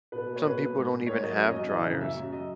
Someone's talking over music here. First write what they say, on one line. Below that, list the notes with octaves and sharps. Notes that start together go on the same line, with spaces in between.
some people don't even have dryers.
B2 B4
A#3
C#5
B2 B4
A#3
G#2
G#2
A#3 C#5
F#3 D#5
F#2 C#5
D#5
F#2
D#5
E3 D#5
C#3
F#2 E5
F#2
F#3 D#5